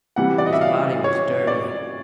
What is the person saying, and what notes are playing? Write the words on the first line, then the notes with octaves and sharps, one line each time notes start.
His body was dirty.
C3 E3 G3 F#5
D5
D#5
E5
F5
C#5
D5